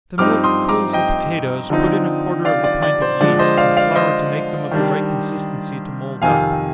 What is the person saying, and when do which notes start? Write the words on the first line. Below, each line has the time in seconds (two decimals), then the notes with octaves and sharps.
If the milk cools the potatoes, put in a quarter of a pint of yeast, and flour to make them of the right consistency to mould up.
0.18 G2 F3 C4 D#4 D6 F6
0.44 C6 D#6
0.69 A#5 D6
0.93 D#5 G5
1.70 D3 F3 C4 D#4
2.45 D5 F5
2.64 D5
2.82 D5
3.02 C5
3.20 D3 F3 G#3 D5
3.39 C5 D#5
3.57 D5 F5
3.77 D5 F5
3.95 C5 D#5
4.71 D#3 G3 D4
6.22 F2 C3 D#3 F5 G#5